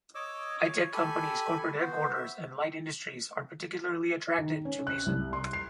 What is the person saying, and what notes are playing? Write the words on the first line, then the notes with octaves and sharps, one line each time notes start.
High-tech companies, corporate headquarters, and light industries are particularly attracted to Mason.
C#5 D#5 D6 E6
C#5
G4 A4 G#5 B5
B3 F#4 C5
E5
D#3
C#4
F#6
C2
C6
C7